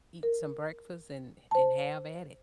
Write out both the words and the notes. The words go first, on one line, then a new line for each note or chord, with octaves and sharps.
eat some breakfast and and have at it.
A#4
C5 A5